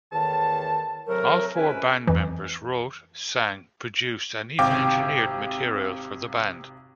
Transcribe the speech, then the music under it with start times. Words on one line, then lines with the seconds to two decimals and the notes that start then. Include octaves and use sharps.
All four band members wrote, sang, produced and even engineered material for the band.
0.12 E2 A2 D#3 A5
1.08 A2 C3 F#3 A3 A#4
1.55 C#2 C3 C#4 E4 B4 G#5
2.07 F2 E3
4.59 G#1 C3 G4 F5 G5 D6